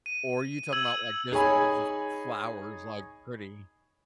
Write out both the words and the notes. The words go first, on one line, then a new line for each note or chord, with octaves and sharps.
Or, you talking 'bout, like, just li just flowers, like, pretty?
D#7
E6 G#6 F#7
D#4 G#4 C#5 G#5 B5